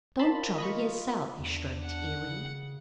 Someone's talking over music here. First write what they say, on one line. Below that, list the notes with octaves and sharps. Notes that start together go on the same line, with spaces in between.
"Don't trouble yerself," he shrugged airily.
F4 A#4 A5 B5 C6
D#5 B5 C#6
E2 D4
F#5
C#3